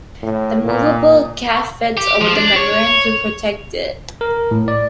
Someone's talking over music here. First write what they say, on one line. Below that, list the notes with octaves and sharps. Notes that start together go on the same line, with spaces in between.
A movable cap fits over the membrane to protect it.
A2
A#2
G4
F3
D4
C#5
A#4
A2
D5